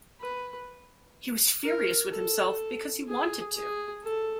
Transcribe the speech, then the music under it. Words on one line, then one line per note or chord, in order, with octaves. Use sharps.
He was furious with himself because he wanted to.
B4
A#4
A4
G#4
G#4
A4